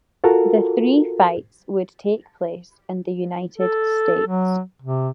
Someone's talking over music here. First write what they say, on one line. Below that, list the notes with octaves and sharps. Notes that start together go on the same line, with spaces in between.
The three fights would take place in the United States.
F4 F#4 A4 A#4
A4
F#3
C3